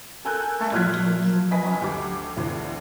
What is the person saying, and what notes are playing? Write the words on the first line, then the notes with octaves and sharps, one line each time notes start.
I don't do neo-noir.
A4 A#4 G#5 E6 F#6 G6
A#2 E4 F6 F#6 G#6 B6
A#3
B4 D#5 G#5 B6
D2 G4 D6
F1 D2 C3 E3